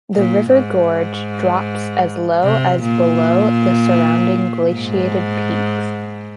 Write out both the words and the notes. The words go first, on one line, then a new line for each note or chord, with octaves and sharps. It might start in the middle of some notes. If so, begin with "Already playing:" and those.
The river gorge drops as low as below the surrounding glaciated peaks.
A#2
G#2
C3
A#2
G#2